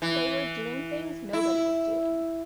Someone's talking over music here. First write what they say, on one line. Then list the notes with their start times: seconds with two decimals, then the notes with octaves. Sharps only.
They were doing things nobody was doing.
0.02 E3
1.33 E4